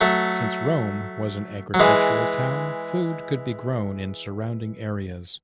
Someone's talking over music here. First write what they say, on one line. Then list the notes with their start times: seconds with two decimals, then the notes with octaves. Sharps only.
Since Rome was an agricultural town, food could be grown in surrounding areas.
0.01 F#3 A3
1.74 F#3
1.79 E3 G#3